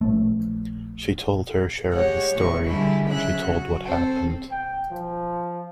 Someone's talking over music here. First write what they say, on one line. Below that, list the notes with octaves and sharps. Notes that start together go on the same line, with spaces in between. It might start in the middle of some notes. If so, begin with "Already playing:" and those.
She told her share of the story — she told what happened.
A#1 A3
G#3 G4 C#5 F#5
A#2 E3 C#6
D3 G3 G#3 E4
C#3 F#3 E5 F#6
F#4
C4 A4
G5
F3